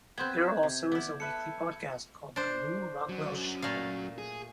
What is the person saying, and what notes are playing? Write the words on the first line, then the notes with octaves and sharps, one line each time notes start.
There also is a weekly podcast called the Lew Rockwell Show.
B3 C4 B4 C5 G5 G6 G#6
C3
B3 E4 D5
A4 B4 E5 C#7
D4 C5
F#2 F#3
A#2 A3 F5
G#4